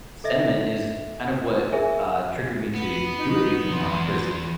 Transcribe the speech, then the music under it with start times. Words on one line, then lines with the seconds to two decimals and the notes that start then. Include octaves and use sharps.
sentiment is kind of what, uh, triggered me to do it even more, because,
0.24 A4 D#5 E5
1.72 G#4 A#4 E5 G#5
2.74 B3
3.17 D#4
3.70 E2 C6